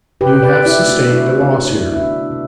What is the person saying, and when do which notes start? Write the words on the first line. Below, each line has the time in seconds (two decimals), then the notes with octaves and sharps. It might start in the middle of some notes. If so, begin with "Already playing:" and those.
You have sustained a loss here.
0.21 C3 G4 B4
0.43 B4 D5
0.51 C4
0.66 E4 G4
0.81 A3
0.88 D4 F#4
1.02 F#4
1.10 D3 E4
1.41 D3 D4
1.71 B3 E4
1.92 E4
2.01 C3 D4
2.31 C3